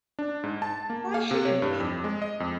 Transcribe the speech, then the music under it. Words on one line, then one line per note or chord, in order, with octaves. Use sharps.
Why shouldn't we?
D4
G#2
A5
A#3
F5
C3
C#5
G2
F2
G#3
D#5
F2